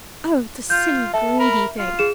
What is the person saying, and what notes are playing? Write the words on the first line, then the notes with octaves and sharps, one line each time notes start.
Oh, the silly, greedy thing!
F4 G6
A4 E5
A#4 B5
F4
G#4 E7